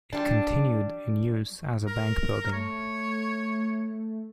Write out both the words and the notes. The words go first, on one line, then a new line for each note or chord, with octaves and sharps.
It continued in use as a bank building.
G3 D4
A#4 A#6
A3 C#5